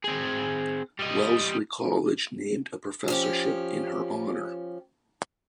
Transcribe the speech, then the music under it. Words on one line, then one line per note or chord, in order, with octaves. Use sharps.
Wellesley College named a professorship in her honor.
C4 G#4
G3 D#5
F3 C#4 G4